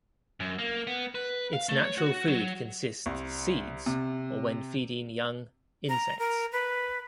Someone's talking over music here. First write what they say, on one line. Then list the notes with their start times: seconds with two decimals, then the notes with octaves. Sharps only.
Its natural food consists seeds, or when feeding young, insects.
0.40 F#2
0.59 A#3
0.87 B3
1.15 B4
1.53 F5
1.69 A3
1.84 C#5
1.98 F#4
2.28 F#3
3.06 C2
3.86 C3
5.89 A#5
6.19 A#4
6.52 B4